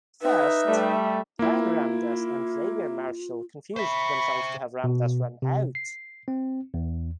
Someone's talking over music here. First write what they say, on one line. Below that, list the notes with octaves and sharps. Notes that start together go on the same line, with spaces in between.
First, Ryan Ramdass and Xavier Marshall confused themselves to have Ramdass run out.
D#4 B4 E5
G3 A3
A#3 E4 F4
C5 E5 B5 C#6
B2
C3
C7
C4
E2